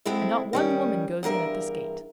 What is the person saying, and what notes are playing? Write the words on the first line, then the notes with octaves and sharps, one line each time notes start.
And not one woman goes in at this gate.
G#3 C4 E4 A4
D#3 G3 C#4
E2 G2 A#4 E5